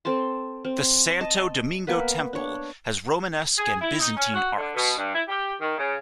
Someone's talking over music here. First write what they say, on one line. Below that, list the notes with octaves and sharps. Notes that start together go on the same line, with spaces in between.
The Santo Domingo Temple has Romanesque and Byzantine arcs.
C4 A4 A5 C6
C4
D#5 A5
A#3 B3 B4
D4 C#5
G#4
E4
D#4
C#4
F#4
D3
B2
G2
E4
G4
D#3
C#3